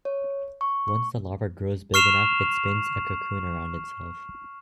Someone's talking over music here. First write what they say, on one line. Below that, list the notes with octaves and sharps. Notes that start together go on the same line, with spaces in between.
Once the larva grows big enough it spins a cocoon around itself.
C#5
C#6
C#6
C#6 F6 C7 E7 F7